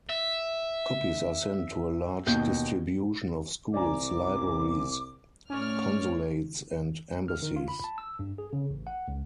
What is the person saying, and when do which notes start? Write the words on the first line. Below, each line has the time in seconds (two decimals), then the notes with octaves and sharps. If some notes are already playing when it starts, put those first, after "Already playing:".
Copies are sent to a large distribution of schools, libraries, consulates and embassies.
0.09 E5
2.26 D#2 B2 G6
3.74 C2 D5 G#5 A#5 D6
5.50 A2 C#4 C#5 D5 F6
7.28 F6
7.42 D#3
7.56 F4
7.68 B5
7.84 A5
7.98 E6
8.19 G2
8.38 G#4
8.53 C#3
8.70 A1
8.87 F#5
9.08 C#2